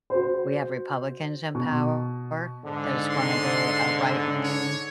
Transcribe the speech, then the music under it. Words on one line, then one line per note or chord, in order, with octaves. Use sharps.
we have Republicans in power, that it's gonna be a right-wing,
F#4 C5
B2
G#2 D3
C6
C#5